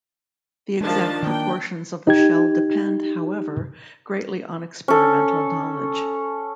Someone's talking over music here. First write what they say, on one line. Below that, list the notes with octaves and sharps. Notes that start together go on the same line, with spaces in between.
The exact proportions of the shell depend, however, greatly on experimental knowledge.
D#3 F3 G#3 D4 A5
D#3 A#3 G5
D#4 G4 G#6
C#4 A4